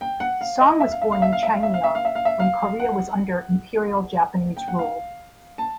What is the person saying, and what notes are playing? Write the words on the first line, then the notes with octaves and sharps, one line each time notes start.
Song was born in Changnyeong when Korea was under Imperial Japanese rule.
G5
F#5
F5
D#5
E5
F5
E5
F5
E5
F5
E5
F5
E5
F5
E5
F5
E5
F5
E5
F5
F#5
G5
F#5
F5
A5